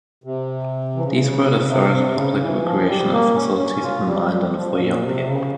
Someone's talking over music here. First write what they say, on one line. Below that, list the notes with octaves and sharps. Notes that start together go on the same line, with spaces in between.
These were the first public recreational facilities in Minden for young people.
C3
E3
C#3
C3
C#3
C3
C3
C#3
E3
F3
G3
A#3
C#4
C#4
F4
G3
G3
F3
A#2
C3
C#3